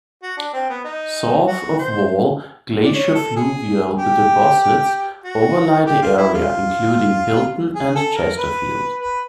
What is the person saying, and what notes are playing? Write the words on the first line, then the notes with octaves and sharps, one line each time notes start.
South of Wall glaciofluvial deposits overlie the area including, Hilton and Chesterfield.
F#4
D4
C4
B3
D#4
F#4
C5
D5
C#5
A4
G#4
G4
F#4
G4
F4
E4
F4
G#4
A4
A#4
B4
B4